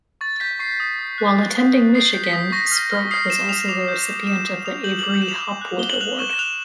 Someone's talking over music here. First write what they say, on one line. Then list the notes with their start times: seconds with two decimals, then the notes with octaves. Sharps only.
While attending Michigan, Sproat was also the recipient of the Avery Hopwood Award.
0.21 C#6 A6
0.40 G6 B6
0.59 C#6 C7
0.80 D#6
0.99 D#6
1.18 F#6
1.37 G6
1.56 D#6
1.75 D#6
1.95 D#6 C7
2.14 G6
2.24 B6
2.33 D#6
2.52 C#6 A#6
2.72 F6
2.91 F6
3.11 D#6 C7
3.30 D#6 E7
3.49 D#6 F7
3.69 D6 F7
3.88 G6
4.07 G6
4.27 D#6 E7
4.46 D#6
4.65 D#6 F7
4.84 G6 F#7
4.99 F#7
5.03 D6
5.14 F#7
5.22 G6 E7
5.28 F7
5.43 D6
5.61 F#6
5.79 D6 G7
5.89 F#7
6.01 F#6 F7
6.19 C#6 E7
6.31 E7
6.39 F#6 F7